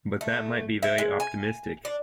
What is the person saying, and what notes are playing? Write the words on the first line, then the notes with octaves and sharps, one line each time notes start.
But that might be very optimistic.
A3
E5
G#3
G#5
D4